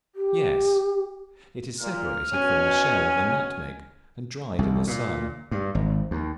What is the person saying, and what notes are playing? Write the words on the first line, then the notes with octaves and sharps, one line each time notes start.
Yes, it is separated from the shell of the nutmeg, and dried in the sun.
G4
A#2 F6
B2 C#4 G#5
C2
A#2
G2
G#1
D#2